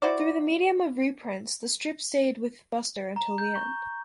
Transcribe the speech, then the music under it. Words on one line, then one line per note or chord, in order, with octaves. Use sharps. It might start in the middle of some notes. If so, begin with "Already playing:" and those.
Through the medium of reprints, the strip stayed with Buster until the end.
E4 F#4 C5 D5
A#5
G6
C#6